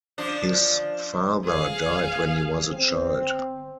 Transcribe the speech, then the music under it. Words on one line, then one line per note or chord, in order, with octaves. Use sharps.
His father died when he was a child.
F3 D4
G#4 F5
C4